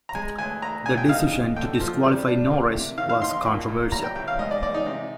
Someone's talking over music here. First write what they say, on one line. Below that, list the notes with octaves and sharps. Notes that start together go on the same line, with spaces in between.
The decision to disqualify Norris was controversial.
A#5
G#3 G#5
D2 G#5
D2 A#5
D2 G#5
G5
D#4 F5
D#4
D3 G5
F3
G3
D4
A#3
C3
D#3 F5
F5
D#4 C6
C6
A#2
A#2
G3 A#5
G5
C2 G5
F5
G#2 D#5
D5
G#2 D5
D#4
C3